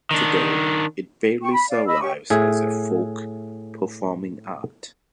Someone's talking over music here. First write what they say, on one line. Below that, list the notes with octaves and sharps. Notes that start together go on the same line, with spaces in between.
Today it barely survives as a folk performing art.
D#3 D4
G5 C#6
B5
D5 F5
D#5 B5 E6
C#4 G4 C#6
A2 G#4 E5